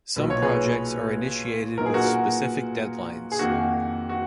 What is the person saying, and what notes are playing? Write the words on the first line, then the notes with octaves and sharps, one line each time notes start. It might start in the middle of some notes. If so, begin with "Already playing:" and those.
Some projects are initiated with specific deadlines.
B1 A#2 F#3 B3 D#4 B4
C#5
G#4 B4
A#2 F#3 B3 D#4 A#4
G#4
F#4 A#4
G#4
F2 D#3 A#3 F#4
F#4